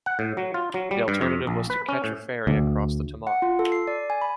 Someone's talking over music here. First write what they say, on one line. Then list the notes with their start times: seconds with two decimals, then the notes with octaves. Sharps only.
The alternative was to catch a ferry across the Tamar.
0.06 F#5
0.19 A2
0.37 F#3
0.54 F4
0.74 F#3
0.91 G3
1.08 G2
1.21 F2
1.47 A#1
1.70 B4
1.89 C#4
2.04 A2
2.47 D2
3.27 F#5
3.42 F4
3.59 A4
3.72 C7
3.87 D5
4.10 G#5
4.22 B5